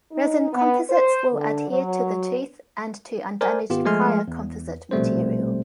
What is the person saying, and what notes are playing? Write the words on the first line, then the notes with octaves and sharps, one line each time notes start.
Resin composites will adhere to the tooth and to undamaged prior composite material.
D#4
B3
C5
D3
F#3
A#4 C5 D5 G#5
G#1 B3 F4 G4
F3 G#3 A3 G#5 C6 F6
E2
A#1 B2 G3 A3 C4 C5